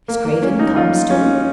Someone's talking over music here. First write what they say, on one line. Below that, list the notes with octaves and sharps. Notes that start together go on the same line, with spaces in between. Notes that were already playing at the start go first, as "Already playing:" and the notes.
Miss Craven comes too?
A#3
A#3
C#4
D#4
F4
C#4